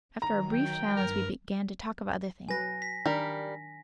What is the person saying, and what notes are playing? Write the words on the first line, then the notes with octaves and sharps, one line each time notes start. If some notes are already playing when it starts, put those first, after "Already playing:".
After a brief silence we began to talk of other things.
D#3 F#3 A#5
G5
G2 A#4 B4
F#3 B4 G#5 A#6
B6
D#3 G3 D4 A#4